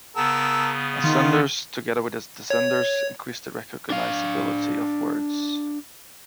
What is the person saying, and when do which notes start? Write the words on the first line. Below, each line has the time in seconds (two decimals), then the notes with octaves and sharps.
Ascenders, together with descenders, increase the recognizability of words.
0.16 C#3 B3 A#4 A5 E6
1.04 D#3 F4
2.50 C#5
3.90 D4 F5